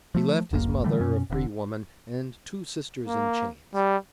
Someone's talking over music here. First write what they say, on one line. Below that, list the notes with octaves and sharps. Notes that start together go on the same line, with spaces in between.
He left his mother, a free woman, and two sisters in chains.
F3 A3
D1 G#1 F#2 A#3
D3 E3 G3 A3
F#2 B2 C#4
E1 A2 D3
A#3
G3